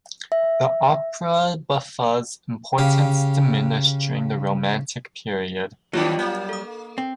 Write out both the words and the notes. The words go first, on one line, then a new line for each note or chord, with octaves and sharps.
The opera buffa's importance diminished during the Romantic Period.
E5
C#3 G4 F5
F2 D#3 F#3 G3 B3 D4 F4 G4
A#3 G6
A4 D#6
C4